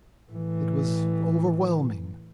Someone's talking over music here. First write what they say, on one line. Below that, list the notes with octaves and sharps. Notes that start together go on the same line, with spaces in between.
It was overwhelming.
A2 E3